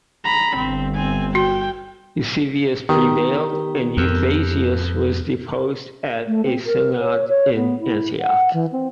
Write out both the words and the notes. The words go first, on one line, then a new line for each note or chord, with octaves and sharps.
Eusebius prevailed and Eustathius was deposed at a synod in Antioch.
A#5 B5
G1 C4
C4 G#5
F#4 G5
D#3 B3 G4 A#4
F2
A3
C4
A#4
C#5
C#5
B3
E4
F#5
E3
C4